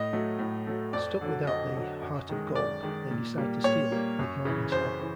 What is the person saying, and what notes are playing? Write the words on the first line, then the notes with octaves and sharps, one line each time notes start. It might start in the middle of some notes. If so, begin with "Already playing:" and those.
Stuck without the "Heart of Gold", they decide to steal it, with Marvin's help.
Already playing: A2 D#5
F#3 A3
A2
F#3 A3
F2 D5
D3 F#3
F2 D#5
D3 F#3
F#2
D#3 G#3
F#2 D5
D#3 G#3
A#2
G3 A#3
A#2 C#5
G3 A#3
F#2
C#3 E3
F#2 C5
C#3 E3